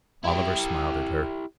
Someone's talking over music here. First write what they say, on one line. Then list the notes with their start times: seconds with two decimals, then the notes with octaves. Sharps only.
Oliver smiled at her.
0.24 E4 G4